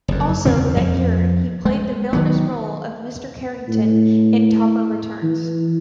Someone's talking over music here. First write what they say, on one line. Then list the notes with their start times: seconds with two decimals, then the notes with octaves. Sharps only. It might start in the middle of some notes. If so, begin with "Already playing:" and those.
Also that year he played the villainous role of Mr. Carrington in "Topper Returns".
0.08 F#1 F2
0.45 E2 C#3 C4
0.76 F2
1.65 G#3
2.13 D#3 F#3 B3
3.69 A2
5.23 E3